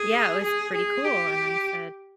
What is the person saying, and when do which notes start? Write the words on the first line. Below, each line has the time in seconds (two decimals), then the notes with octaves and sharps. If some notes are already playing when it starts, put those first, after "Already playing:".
Yeah. It was pretty cool, and I said,
Already playing: G#4
0.43 G#4
0.74 G#4
1.05 G4